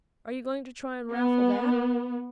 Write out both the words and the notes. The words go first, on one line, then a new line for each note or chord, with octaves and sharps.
"Are you going to try and raffle that?"
B3